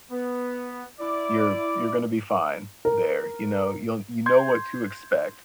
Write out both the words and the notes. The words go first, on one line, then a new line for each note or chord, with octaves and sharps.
you're you're gonna be fine there, you know, you'll you know what to expect.
B3
E4 D5
A#4
C6 G6 G#6